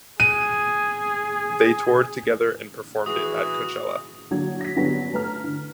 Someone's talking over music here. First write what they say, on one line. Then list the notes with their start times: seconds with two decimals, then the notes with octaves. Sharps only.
They toured together and performed it at Coachella.
0.20 G#4 D#7
3.06 E3 F#4 G#4 D#6
4.31 D3 F#3 A#3 G#6
4.61 A#6 B6
4.76 D3 F#3 G3 B3 C#4 D4
5.13 A3 B4 A#5 F6
5.44 D3